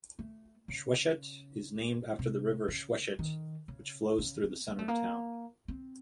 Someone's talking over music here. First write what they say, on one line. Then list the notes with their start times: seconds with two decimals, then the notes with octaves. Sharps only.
Schwechat is named after the river Schwechat, which flows through the centre of town.
0.19 A3
0.68 C#3
2.19 C3
2.68 C#3
3.19 D#3
3.68 C#3
4.18 C#3
4.43 C4
4.68 A#3
4.79 A3
4.88 A#3
5.68 C4